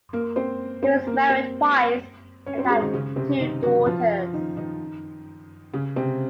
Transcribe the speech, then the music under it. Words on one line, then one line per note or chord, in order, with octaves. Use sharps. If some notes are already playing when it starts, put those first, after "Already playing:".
He was married twice, and had two daughters.
A#3 A#4
C4 C5
C4 C5
A#3 A#4
C4 C5
C#4 C#5
C4 C5
F#4
G#3 G#4
D#3 D#4
C#3 C#4
C3 C4
D#3 D#4
F#3 F#4
F3 F4
D#3 D#4
D#3 D#4
C#3 C#4
C3 C4